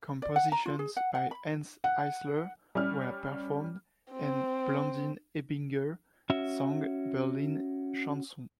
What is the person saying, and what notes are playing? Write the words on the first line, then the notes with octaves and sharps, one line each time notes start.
Compositions by Hanns Eisler were performed, and Blandine Ebinger sang Berlin chansons.
D5
F#5
A#5
F4
G#4
F#5
F#5
B5
F#5
G3 C#4 F6
C4
C#4 F#4 E5